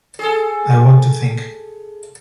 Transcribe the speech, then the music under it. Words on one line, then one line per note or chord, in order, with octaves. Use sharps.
I want to think.
G#4 A4